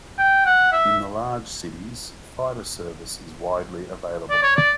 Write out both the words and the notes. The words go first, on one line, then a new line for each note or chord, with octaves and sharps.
In the large cities, fiber service is widely available.
G5
F#5
E5
D5
C#5
D5